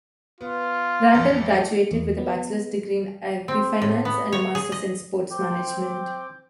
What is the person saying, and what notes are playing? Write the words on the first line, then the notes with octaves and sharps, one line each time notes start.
Randle graduated with a bachelor's degree in agri-finance and a master's in sports management.
B3 F4
A1 F2
E2
B3
C4
A2
B3
C#5
G#4
D#5
C4 G5 D6 G6